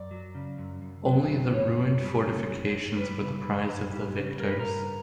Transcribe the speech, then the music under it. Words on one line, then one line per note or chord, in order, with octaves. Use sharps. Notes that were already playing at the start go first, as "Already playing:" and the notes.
Only the ruined fortifications were the prize of the victors.
Already playing: F#2 D5
F#3
C#3
F#2
F#2
F#3
C#3
F#2 C#5
F#2
G3
C#3
F#2
F#2
G3 B4
C#3
F#2
F#2
G3
C#3
G2 A#4
B4
G2 A#4